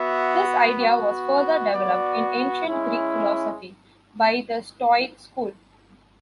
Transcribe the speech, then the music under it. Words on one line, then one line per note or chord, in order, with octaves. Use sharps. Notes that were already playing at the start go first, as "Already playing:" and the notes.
This idea was further developed in Ancient Greek philosophy by the Stoic school.
Already playing: B3 F#4 E5
F#4
B3
B3 F#4 D5
G#3 C#4 E4